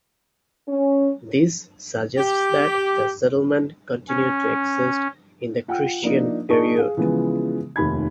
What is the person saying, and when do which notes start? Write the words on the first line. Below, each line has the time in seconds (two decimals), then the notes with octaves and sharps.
This suggests that the settlement continued to exist in the Christian period.
0.69 C#4
2.18 G4
4.09 C#4
5.68 F4 F#5 G5
6.02 F3 A#3 D4 D#4
6.49 D4 D#4 G#4 A#4 A5 C#6
6.75 G#4 F5
6.97 C#3 E3 F3 G#3 B3
7.76 F1 D#2 B5 G#6